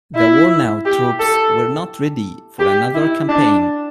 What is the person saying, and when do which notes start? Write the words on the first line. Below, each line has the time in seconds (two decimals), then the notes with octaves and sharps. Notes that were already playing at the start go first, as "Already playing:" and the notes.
The worn-out troops were not ready for another campaign.
0.15 E4
0.85 G4
1.19 A4
2.60 G4
2.94 E4
3.29 D4